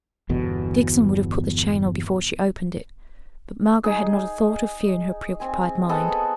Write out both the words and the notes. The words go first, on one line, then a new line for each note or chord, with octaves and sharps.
Dixon would have put the chain on before she opened it, but Margaret had not a thought of fear in her pre-occupied mind.
G1 E2 B2
D#4 G#4
C4 G#5
B3 G#4 A4 D#5